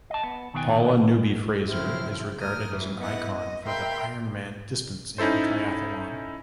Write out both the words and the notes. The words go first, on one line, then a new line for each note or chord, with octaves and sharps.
Paula Newby-Fraser is regarded as an icon for the Ironman distance in triathlon.
D#5 A5
B3
B2 D#3 B3 F#4 G5 G#5
F#2 C#3 F3 C4 E4 F6
D2 A#4 D#6 F6
F#2 E3 F#3
B3 E4 D#5 F#5
D#5
A#4 E5 F5 G5 B5 C6
C#4 D#4 E4 A4 C5